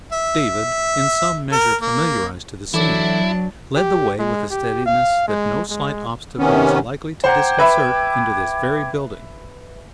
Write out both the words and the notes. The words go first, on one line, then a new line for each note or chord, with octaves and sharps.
David, in some measure familiarized to the scene, led the way with a steadiness that no slight obstacle was likely to disconcert, into this very building.
E5
A#4
A#3
E3 F#3 D4 E4 A4 D6
G4
G#3
G4
F5
G#3
G#3
C3 D#3 B3 C#4
C5 F#5 G5 A#5 D6 G#6
B4 E5 B5